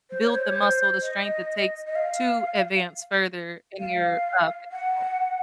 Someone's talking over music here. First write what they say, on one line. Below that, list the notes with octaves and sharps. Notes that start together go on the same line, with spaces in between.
build the muscle, the strength it takes to advance further in your, uh, dance pole
C5
C#5
C5
C#5
C5
D#5
D#5
F5
F5
F#5